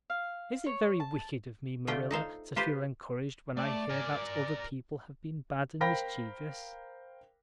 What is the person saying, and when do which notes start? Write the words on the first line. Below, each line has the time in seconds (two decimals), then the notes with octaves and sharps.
Is it very wicked of me, Marilla, to feel encouraged when I hear that other people have been bad and mischievous?
0.10 F5
0.66 C#5
1.00 A5
1.87 D3 A3 F4 G5
2.11 D#4 A4 C5 F5
2.56 F4 G4 B4 C5
3.57 A3 D5
3.90 A#4 G#5
5.81 A#4 C5 F5 G5 B5 A#6